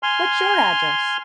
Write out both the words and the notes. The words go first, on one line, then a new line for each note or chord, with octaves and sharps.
What's your address?
G#5 C6 F6